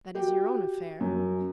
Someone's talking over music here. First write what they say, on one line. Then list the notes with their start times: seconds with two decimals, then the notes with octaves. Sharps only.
"That is your own affair."
0.15 F#4 G4 G5
1.01 F#2